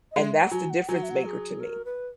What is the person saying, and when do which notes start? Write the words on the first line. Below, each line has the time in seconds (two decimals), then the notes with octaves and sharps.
And that's the difference maker to me.
0.11 D#5
0.16 G#3 E5
0.43 F#5
0.51 F#3 G#5
0.70 F#5
0.88 F#3 G#5
0.96 F#5
1.03 E5
1.10 F#5
1.25 G#4
1.61 A#4
1.85 B4